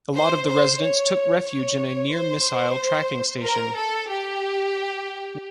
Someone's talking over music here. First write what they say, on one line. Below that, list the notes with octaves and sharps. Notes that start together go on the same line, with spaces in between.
A lot of the residents took refuge in a near missile tracking station.
C5
C5
C#5
C#5
C5
A#4
A4
G4